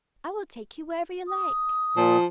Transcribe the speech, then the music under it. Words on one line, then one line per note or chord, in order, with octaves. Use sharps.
"I will take you wherever you like."
D#6
A#2 F3